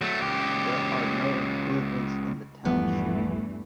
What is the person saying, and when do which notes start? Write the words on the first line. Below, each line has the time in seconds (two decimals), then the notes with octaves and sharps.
There are no improvements in the Township.
0.01 F#3 A3
0.21 C#2 G4
2.65 D#1 G2 E3 F3 G3 A3 B3